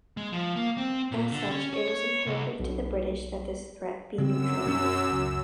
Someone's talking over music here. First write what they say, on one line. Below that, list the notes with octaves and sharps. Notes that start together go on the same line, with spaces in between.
As such, it was imperative to the British that this threat be neutralised.
G#3
F3
A#3
C4
A#2
D3
C#4
C#5
C#5
C2
B1
F#2 C#3 G#3 C4 E6
B2 F#3 C#4
C#2